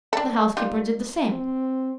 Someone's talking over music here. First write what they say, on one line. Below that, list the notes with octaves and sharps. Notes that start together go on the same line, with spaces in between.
The housekeeper did the same.
D4 A4
G3 D#4 F4
C4